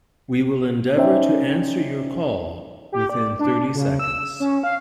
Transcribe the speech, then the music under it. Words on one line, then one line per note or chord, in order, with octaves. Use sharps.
We will endeavour to answer your call within thirty seconds.
C#4 D#4 C5 D5 E5 G5
G4
D5
D4
C#3
E6
C#4
F5